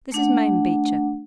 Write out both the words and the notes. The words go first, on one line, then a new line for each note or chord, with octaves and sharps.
This is Mame Beecher.
A3 D4 F#5